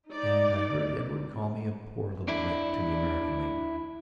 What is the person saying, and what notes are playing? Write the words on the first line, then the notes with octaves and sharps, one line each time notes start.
And I heard Edward call me a poor little rat to the American lady.
D#4 D5
D4 E4